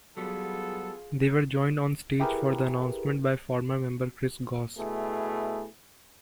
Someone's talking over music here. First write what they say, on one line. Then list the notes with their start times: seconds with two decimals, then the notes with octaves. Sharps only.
They were joined on stage for the announcement by former member Chris Goss.
0.17 F#3 G3 B3 F4 G#4 A4
2.20 E4 G4 G#4 A#4 B4
4.78 B2 A3 E4 G#4